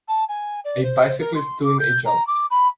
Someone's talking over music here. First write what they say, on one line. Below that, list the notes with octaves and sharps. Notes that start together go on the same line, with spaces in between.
A bicyclist doing a jump.
A5
G#5
D5
C5
A#4
C6
D6
G6
A#5
D6
B5